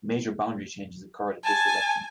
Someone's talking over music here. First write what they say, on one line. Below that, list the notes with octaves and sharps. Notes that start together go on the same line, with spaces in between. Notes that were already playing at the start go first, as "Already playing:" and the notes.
Major boundary changes occurred at this election.
G#5 A5